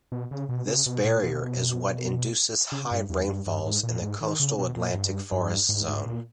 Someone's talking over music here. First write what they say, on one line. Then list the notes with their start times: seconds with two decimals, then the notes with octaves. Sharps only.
This barrier is what induces high rainfalls in the coastal Atlantic forest zone.
0.12 B2
0.31 C#3
0.49 B2
0.68 C#3
0.86 B2
1.05 A#2
1.24 B2
2.72 C#3
2.91 G2
3.10 E2
3.28 G2
3.47 G2
3.65 G#2
3.83 A#2
4.02 G#2
4.21 D#3
4.40 C#3
4.58 B2
4.77 A#2
4.94 G2
5.32 G2
5.69 G#2
5.88 G#2
6.06 A#2